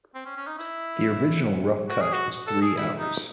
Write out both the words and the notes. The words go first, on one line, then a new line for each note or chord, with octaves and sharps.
The original rough cut was three hours.
C4
C#4
C#4
D#4
E4
F#4
G#4
F#4
A4
G#4
E4
D#4